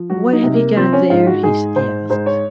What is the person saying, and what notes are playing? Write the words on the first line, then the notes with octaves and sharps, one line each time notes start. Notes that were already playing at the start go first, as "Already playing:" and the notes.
"What have you got there?" he asked.
Already playing: F3
F#3 F#4
D#4
C3
A#3
F3 C4
C#4
G#2 F4
F#4
G#2 G#4
G#2 C5
G#2 C5
C#5